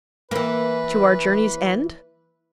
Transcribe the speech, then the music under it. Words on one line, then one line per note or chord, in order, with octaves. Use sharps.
"To our journey's end?"
E3 A#3 B4